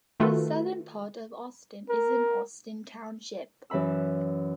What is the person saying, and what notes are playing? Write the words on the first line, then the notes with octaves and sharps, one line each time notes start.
The southern part of Austin is in Austin Township.
D#3 A3 F4 F#4 A4 B4
A#4
F#2 E3 E5 B5 E6